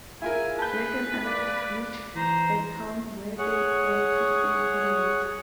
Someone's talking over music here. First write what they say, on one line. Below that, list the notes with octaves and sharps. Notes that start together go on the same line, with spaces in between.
Jack and Alex reach a town where they plan to stay for the winter.
E4 F4 G#4 A#4 G#5
B4 A5 B5 G6
A#3 D5
E3 C5 A#5
G#4 C#5 F#5